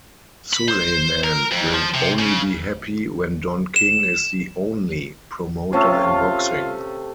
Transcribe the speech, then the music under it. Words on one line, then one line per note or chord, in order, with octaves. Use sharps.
Sulaiman will only be happy when Don King is the "only" promoter in boxing.
B5
C5
A#4
F2
F3
C3
C#3
E7
C3 A3 C#4 F4 E6